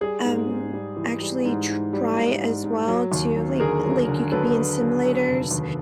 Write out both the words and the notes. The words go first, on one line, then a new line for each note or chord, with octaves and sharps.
um, actually try as well to like like, you could be in simulators
G3 G#4
G#2
G#2
G3
E3
G3
G#2
G#2
G3
G#2
G#2
G#2
F#3
D#2
F#3
D3 G#4 A#4
F#3
D3
F#3 A4 B4
D3
F#3
F#3
F1
D#2